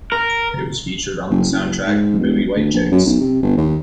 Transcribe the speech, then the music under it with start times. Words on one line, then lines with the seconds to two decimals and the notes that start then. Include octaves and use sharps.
It was featured on the soundtrack of the movie, "White Chicks".
0.12 A#4
1.30 F#1
1.52 F#1
1.87 G#2
2.19 E1
2.56 D2
2.74 A#1
2.92 F#2
3.06 B1
3.21 C3
3.42 G1
3.57 D#2